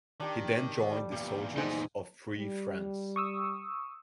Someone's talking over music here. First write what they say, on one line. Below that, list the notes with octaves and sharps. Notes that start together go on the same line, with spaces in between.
He then joined the soldiers of Free France.
D#3 D4 G4 G5
G3
E2 A#2 G4 F5
D#4 G#4 C5 D#6
G3
C#6 D#6 E6